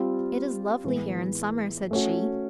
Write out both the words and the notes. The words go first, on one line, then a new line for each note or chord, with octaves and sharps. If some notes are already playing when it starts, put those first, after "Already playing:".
"It is lovely here in summer!" said she.
Already playing: G3 C4 F4
A2 E3 G#3 B3
A3 C#4 F#4